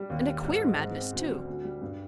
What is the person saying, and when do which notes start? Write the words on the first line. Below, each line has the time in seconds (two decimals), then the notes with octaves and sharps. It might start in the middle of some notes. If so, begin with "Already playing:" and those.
And a queer madness, too.
Already playing: G3
0.10 D#2
0.27 G3
0.44 G#2
0.61 G#3
0.78 G#2
0.96 C4
1.13 D2
1.30 G3
1.47 D2
1.64 G3
1.81 G2